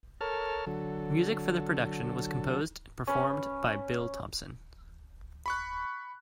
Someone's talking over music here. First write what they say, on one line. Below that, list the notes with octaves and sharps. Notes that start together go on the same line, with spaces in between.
Music for the production was composed and performed by Bill Thompson.
A4 A#4 C#5 A5 F6
D3 F#3 A4
C#4 B4
B5 C#6 F#6